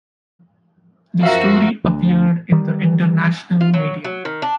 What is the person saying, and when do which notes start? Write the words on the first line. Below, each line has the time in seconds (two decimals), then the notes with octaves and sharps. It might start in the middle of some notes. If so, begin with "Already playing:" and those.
The story appeared in the international media.
1.23 F#2 F3 F#4 A#4 E5 F5
1.84 D2
2.52 D#3 G3
3.61 F4
3.74 F#3
4.04 F#3
4.25 D#3
4.42 D4